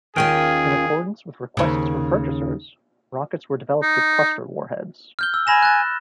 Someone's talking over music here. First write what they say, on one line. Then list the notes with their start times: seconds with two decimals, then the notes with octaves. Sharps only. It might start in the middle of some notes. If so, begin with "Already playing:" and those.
In accordance with requests from purchasers, rockets were developed with cluster warheads.
0.16 D#2 D#3 C#4 F4 G#4 A#4 G5
1.57 D#2 C#3
3.82 D#4
5.19 F6 G6 G7
5.34 E6
5.47 G#5 B5 A#6 E7
5.63 F#6 A6